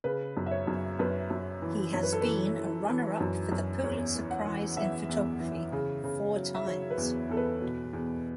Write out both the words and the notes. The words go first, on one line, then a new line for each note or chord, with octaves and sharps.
He has been a runner-up for the Pulitzer Prize in photography four times.
C#3 B4
F#2
E5
C#5
F#2
F#2 B4
F#2
E3
F#2 C#5
B4
A4
E3 B4
E3
E3
F#2
F#2
E2 C#5
E3
F#5
E3
E3 E5
E2
E3
C#3
C#3
F#3
E5
F#3 C#5
B4
E2
E2 A4
B4
B2
E2